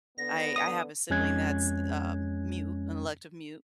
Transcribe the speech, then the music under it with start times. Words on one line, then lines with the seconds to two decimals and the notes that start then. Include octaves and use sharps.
I I have a sibling that's, um, mute, an elective mute.
0.18 D3 B3 A#6
0.56 D#6
1.10 F2 G#3 C#4 F#6 G#6